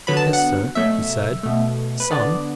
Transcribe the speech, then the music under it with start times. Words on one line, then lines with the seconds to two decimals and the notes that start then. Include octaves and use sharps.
"Yes, sir," he said, "some."
0.07 D3 F#3 B3 B5
0.17 A5
0.33 F#5
0.75 B2 F#3 A3 E5
1.43 B2 A3
2.00 B4
2.10 D3 B3 D5